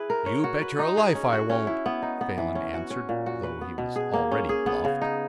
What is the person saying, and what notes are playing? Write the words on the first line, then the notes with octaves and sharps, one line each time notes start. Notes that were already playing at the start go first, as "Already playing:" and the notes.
"You bet your life I won't," Phelan answered, though he was already bluffed.
Already playing: E4 G#4 B4
A#4
C#5
F#4
B4
D#4
G#4
C#4
F#4
C#4
E4
B3
D#4
B3
E3
C#4
F#4
C#4
A#2
F#4
B4
B3
B2
G#4
A#3
C#4
G#4
B3
C#3
D#4